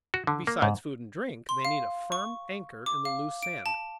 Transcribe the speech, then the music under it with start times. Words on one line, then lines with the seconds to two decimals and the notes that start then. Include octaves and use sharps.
Besides food and drink, they need a firm anchor in the loose sand.
0.14 F#4
0.27 D3
0.47 A#3
0.62 G#2
1.49 C6
1.65 F5
2.12 C#6
2.86 D6
3.05 F5
3.43 D7
3.66 A5